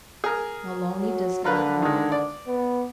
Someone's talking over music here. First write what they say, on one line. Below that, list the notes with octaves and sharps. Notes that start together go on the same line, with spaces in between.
Maloney does not know.
G#4 A#4
F#3
D3 F4 A#4 B4
D#3 G#3
D5
B3